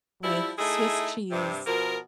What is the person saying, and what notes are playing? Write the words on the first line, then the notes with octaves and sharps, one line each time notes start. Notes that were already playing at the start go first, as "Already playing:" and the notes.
with swiss cheese,
F3 G3 E4
A3 D#4 E4 G#4
G2 C3
B2 F3 A#4